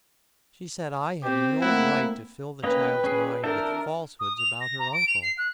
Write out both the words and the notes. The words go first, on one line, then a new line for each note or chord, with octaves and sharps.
She said I had no right to fill the child's mind with falsehoods about her uncle.
C4 G4
A3 A#3 E4 F#5
A#3 C#4 B4 D#5 G5
C#4 G#4
D4 A#4 E5 G5 A5
D#6
F7
A#6
A#5
D7
F7
C7
F#6